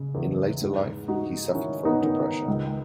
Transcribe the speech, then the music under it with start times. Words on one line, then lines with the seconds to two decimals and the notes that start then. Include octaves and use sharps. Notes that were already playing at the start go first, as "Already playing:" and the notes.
In later life, he suffered from depression.
Already playing: C#3
0.15 E2
0.62 G#2
1.08 G#2 D#4 F#4
1.54 D#3 C#4 E4
1.85 B3 D#4
2.01 D#3
2.48 C#2